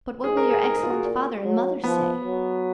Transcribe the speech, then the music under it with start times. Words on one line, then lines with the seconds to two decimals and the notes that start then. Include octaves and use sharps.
But what will your excellent father and mother say?
0.23 G#2 G#4
0.37 A#4
0.50 G#4
0.64 G#2 A#4
0.77 G#4
0.84 F4
0.90 F#4
1.03 A#2
1.43 F#3
1.84 F3 B3
2.24 F#3